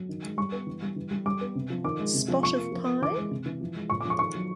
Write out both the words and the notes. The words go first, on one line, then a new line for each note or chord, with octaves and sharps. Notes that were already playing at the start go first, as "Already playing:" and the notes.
Spot of pie?
Already playing: F#3
D#3
G#3
G3 C#6
B3
E3
G3
E3
G3
G3 D6
B3
C3
F3
D#3 D6
G#3
C3
F3
F3 C#6
A#3
F3
A#3
E3 D6
G#3
C3
E3
F3
G#3
A#2 C#6
D6
F3 C#6
D#3 C#6
F#3